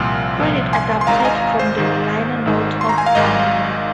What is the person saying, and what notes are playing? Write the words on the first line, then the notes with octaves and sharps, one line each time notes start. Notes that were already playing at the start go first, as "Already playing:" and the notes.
Credits adapted from the liner notes of "Anima".
Already playing: C2 A#2 F3 C6 F6
C2 A#2 F3
G#5 C6
C6
G#1 G#2 D#3 F5 A#5
A#5
D#5 G#5
C5
G#1 G#2 D#3
G#1 G#2 D#3
C6
A#5
G#5
F5
G#1 G#2 D#3 D#5